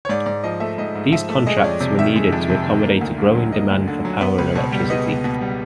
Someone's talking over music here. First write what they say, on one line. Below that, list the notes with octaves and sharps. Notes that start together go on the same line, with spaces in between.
These contracts were needed to accommodate a growing demand for power and electricity.
C#5
G#2 D5
G#2 D5
F3 D#5
A3 E5
G#2 D#5
G#2
F3 E5
A3
G#3 D#5
C#5
F2 D5
C3 D5
D#3 E5
G#3
F2
C3
D#3
A#3
D2
D3
F#3
A#3 D#5
D2
D3
F#3
B3
C#2
B2
G3
B3 D#5
C#2
B2
G3